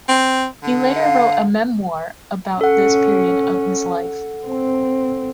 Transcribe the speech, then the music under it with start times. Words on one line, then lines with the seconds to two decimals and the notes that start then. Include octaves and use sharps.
He later wrote a memoir about this period of his life.
0.08 C4
0.62 D3
1.01 F5
2.61 C#4 A4 F#5
4.46 C4